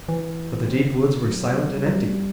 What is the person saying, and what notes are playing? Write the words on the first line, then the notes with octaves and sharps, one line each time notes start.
But the deep woods were silent and empty.
E3
C4
D3
F#3
G3
F#3
G3
F#3
G3